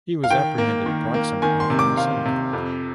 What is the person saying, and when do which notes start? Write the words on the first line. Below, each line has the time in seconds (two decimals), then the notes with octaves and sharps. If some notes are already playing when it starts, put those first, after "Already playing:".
He was apprehended approximately from the synagogue.
0.24 F5
0.30 D#3 G5
0.58 A#3
0.86 D#3
1.14 A#3
1.42 D#3 G#5
1.60 C6
1.70 C3
1.79 D6
1.97 D#3 F5
2.25 C3
2.53 F2